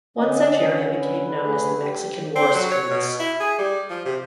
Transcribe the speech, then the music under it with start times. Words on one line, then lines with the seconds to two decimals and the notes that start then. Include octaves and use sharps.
One such area became known as The Mexican War Streets.
0.17 D3 C#4 D#5
0.96 B4
1.40 D3 A3 G#4
1.80 G4
2.35 C4
2.55 F#3
2.72 C#5
2.90 B2
3.19 E4
3.40 G#4
3.58 G3
3.90 F3
4.05 C3